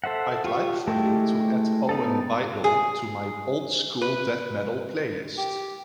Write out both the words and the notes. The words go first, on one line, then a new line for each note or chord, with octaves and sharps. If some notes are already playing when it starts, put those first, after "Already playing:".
I'd like for you to add Owen Biddle to my Old School Death Metal playlist.
A4 C5 E5 F#5
F4 G4 C#6
G#3 A3 E4 G4
B3 D#4 A4
G#4
B4
G4